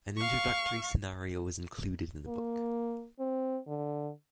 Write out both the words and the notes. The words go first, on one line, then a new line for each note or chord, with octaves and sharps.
An introductory scenario was included in the book.
F5 C#6
A#3
C4
D3